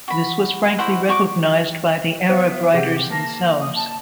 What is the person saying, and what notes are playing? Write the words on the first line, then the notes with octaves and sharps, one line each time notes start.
This was frankly recognised by the Arab writers themselves.
F#4 B5
E4 F#4 C5 F#5
F#4 C#6 D6
B3 C5 E5 F5
C3 G4 G#4 F#5
A#3 A#4 A5
D#6
A5